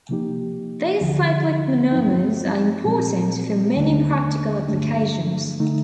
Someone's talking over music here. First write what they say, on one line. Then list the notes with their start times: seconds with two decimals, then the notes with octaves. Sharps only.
These cyclic monomers are important for many practical applications.
0.09 C3 F3 A#3 D#4 G4
1.01 D2 D3 F3
1.92 G2 F3 C4 D#4
2.85 A#2 F3 C4
3.76 D#2 D3 A3 D4
4.68 G2 D3 A3 D4
5.59 D3 A3 D#4